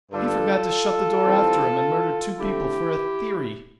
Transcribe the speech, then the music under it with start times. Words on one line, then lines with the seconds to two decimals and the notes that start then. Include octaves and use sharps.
He forgot to shut the door after him, and murdered two people for a theory.
0.11 G2 D3 G3 D4 F4 A4
1.26 E3 G3 C4
2.39 D3 A3 C4 E4 G4